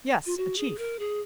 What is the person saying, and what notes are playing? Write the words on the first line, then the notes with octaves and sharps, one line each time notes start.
"Yes, a chief."
F4
F#4
G#4
A#4
G#4